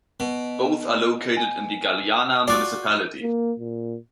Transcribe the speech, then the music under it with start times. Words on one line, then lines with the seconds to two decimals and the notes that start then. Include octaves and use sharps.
Both are located in the Galeana municipality.
0.20 B2
1.37 G#5
2.48 F4 F#4 D5
3.21 A#3
3.59 A#2